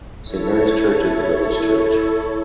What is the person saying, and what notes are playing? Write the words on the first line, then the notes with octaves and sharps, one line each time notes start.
Saint Mary's Church is the village church.
E4 A4 C#5